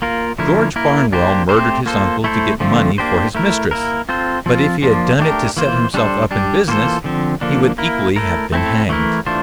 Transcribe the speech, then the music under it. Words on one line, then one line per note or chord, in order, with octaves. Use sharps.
George Barnwell murdered his uncle to get money for his mistress, but if he had done it to set himself up in business, he would equally have been hanged.
A#3 F4 A#4
D3 F3 A3 E4 A#4
A#3 E4 A#4
A#3 D4 G4 C5
A3 C4 G4 C5
A#3 F4 A4 C5
A3 E4 A4 C5
D3 F3 A3 C4 F4
A#3 D4 G4 C5
A3 E4 A#4
A#3 E4 A#4
C4 F4 A4 C5
F3 C4 F4
F3 A#3 D4 F4
A3 D4 G4 A#4
E3 A#3 F4 C5
G3 D4 A4 C5
G3 D4 G4
E3 A#3 F4 A4 C5
D3 F3 C4
D3 F3 A#3 D4
A#3 E4 A#4
A3 E4 A#4
A3 C4 E4 A4
E3 A3 E4 A#4
E3 A3 D4 F4 C5